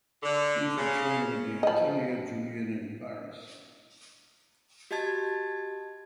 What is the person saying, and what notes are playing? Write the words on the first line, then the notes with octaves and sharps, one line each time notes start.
Kiefer trained with the Atelier Julian in Paris.
D3
C#3
F3 D#5
F#4 G4 D#5 A5 G#6 A6